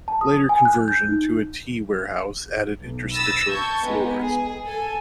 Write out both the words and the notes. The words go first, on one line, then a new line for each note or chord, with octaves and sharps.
Later conversion to a tea warehouse added interstitial floors.
A5
D#6
G#5
F#6
G6
D#4
B1
B5 D#6 E6 A6 A#6
A5 C#6 G6 G#6
G#3 B3 D#4 B4
G#4
A4 G#5